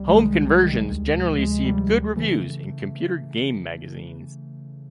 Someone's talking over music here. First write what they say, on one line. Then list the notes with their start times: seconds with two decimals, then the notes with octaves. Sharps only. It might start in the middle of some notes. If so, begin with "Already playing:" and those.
Home conversions generally received good reviews in computer game magazines.
Already playing: C2 G3
0.09 C3 D#3 G#3
0.35 C2
0.61 C3 D#3
0.87 D2
1.13 C3 F3
1.38 D2 G#3
1.64 C3 F3 G3
1.89 D2
2.16 C#3 E3 A3